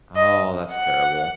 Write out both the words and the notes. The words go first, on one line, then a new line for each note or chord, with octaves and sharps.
Oh, that's terrible.
D#5
F#5